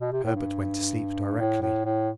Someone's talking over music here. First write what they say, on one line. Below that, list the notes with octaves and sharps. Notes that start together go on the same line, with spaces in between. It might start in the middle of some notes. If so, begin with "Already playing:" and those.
Herbert went to sleep directly.
B2
C3
A2
G2
A2
A2
A2